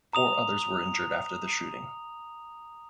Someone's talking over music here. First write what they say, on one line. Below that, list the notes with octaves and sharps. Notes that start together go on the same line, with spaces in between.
Four others were injured after the shooting.
A#5 D#6 F7